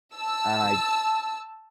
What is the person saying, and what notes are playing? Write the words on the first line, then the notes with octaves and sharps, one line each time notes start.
and I
A5 E6